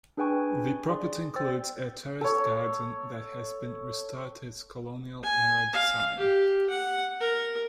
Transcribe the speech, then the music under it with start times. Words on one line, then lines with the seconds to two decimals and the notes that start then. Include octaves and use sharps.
The property includes a terraced garden that has been restored to its colonial-era design.
0.17 D4 G#4 B4 G5 G#5 C#6
0.90 G#4 D5 C6
1.36 C5 G5 E6 A6
2.21 A4 C#5
5.24 G#5
5.74 F5
6.17 G4
6.70 F#5
7.21 A#4